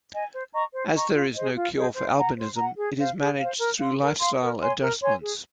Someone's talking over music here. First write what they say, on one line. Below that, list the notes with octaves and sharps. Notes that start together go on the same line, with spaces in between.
As there is no cure for albinism, it is managed through lifestyle adjustments.
D#5 G#5
C5
D#5 A#5 C#6
C5
D#5 A#5 C#6
F4
G#4 C5 D#5
F4
G#4 C5 D#5
C5
F#5 A#5
C5
F#5 A#5
G#4
C5 F5
G#4
C5 F5
A#4
F5 C6
A#4
F5 C6
A#4
C#5 G#5 C6
A#4
C#5 G#5 C6
G#4